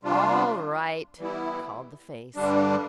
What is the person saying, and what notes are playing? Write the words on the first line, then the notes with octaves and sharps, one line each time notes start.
"All right," called the face.
C3 G3 D4 F4
E3 G3 B3 E4
G2 D3 G3 D4